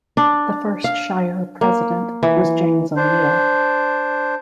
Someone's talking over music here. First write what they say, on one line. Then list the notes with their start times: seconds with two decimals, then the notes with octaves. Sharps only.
The first Shire President was James O'Neill.
0.17 D4
0.84 F5
1.61 A#3
2.23 E3
2.96 D4 C5